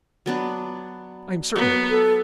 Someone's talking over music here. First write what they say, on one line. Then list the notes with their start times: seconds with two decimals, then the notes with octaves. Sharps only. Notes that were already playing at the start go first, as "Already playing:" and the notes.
"I am certain of it."
0.26 F#3 B3 D4
1.56 F#3 B3
1.90 A4